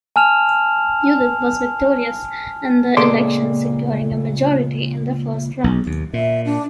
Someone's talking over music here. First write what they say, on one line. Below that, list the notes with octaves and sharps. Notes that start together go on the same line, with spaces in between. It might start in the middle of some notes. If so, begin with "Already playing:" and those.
Uribe was victorious in the elections, securing a majority in the first round.
G#5 A5 F6 E7 F7
C#2 A#2 G#4 A4 D5 C6
B1
D#2
A#2 E5
D4